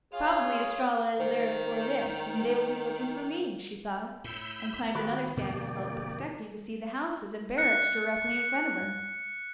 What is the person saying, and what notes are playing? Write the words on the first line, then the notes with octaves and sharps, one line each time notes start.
"Probably Estralla is there before this, and they will be looking for me," she thought, and climbed another sandy slope, expecting to see the houses and barracks directly in front of her.
F4 G#4 C#5 F5
D#3 C5
A2 B5 E6 G6
D#3 F#4 G4 A#4 B4
F2 B2 D3 F3 A#3 G4 D5
F#6 C#7